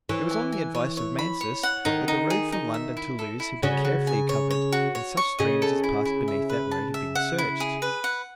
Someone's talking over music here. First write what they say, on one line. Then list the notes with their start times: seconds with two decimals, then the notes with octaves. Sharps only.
It was on the advice of Mansus that the road from London to Lewes had been carefully covered and such streams as passed beneath that road had been searched.
0.09 E3 C#5
0.31 G#5
0.52 G#5
0.75 C#5
0.97 C#5
1.19 B5
1.41 C#5
1.63 F#5
1.85 D#3 D#4
2.08 D#4
2.30 G#4
2.52 D#4
2.74 E5
2.97 E4
3.19 A4
3.40 E4
3.63 C#3 F#4
3.85 F#4
4.07 G#5
4.29 C#5
4.51 C#5
4.72 F#4
4.95 C#5
5.17 C#6
5.39 C#3 D#5
5.62 A4
5.84 E4
6.05 E4
6.28 E5
6.49 B4
6.71 A5
6.94 E5
7.15 F#5
7.38 E4
7.60 G#4
7.82 B4
8.04 F#5